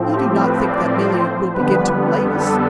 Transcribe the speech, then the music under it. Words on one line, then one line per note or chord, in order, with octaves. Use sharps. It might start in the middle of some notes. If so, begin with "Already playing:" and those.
"You do not think that Milly will begin to lace?"
Already playing: A2 F3 C4
G4
B4
D5
C5
F2 D3 G3 B3 B4
A4